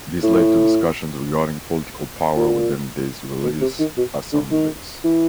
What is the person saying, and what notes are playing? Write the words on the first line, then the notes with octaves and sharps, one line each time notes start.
This led to discussions regarding political power within these religious assemblies.
A2
A#2
B2
C3
D#3
B2
D3
D#3
E3